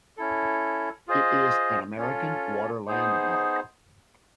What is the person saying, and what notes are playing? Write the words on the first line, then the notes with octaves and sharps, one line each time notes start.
It is an American Water Landmark.
C#4 E4 A4
F4 G#4 C5 D#5
C#4 F4 A4
B3 D#4 G#4 C5